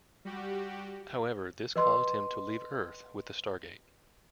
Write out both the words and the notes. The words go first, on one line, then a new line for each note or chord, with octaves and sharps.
However, this caused him to leave Earth with the Stargate.
G3 F#4 G4
B4 D#5 C6